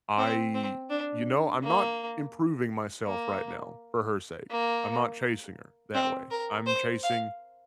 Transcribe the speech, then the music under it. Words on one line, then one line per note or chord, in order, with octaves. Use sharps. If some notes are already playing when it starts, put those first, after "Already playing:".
I you know, I'm not improving myself right now for her sake. I'm not chasing her that way. I'm chasing
C4
C4
D4
A#3
A#3
A#3
C4
A#4
C5
F5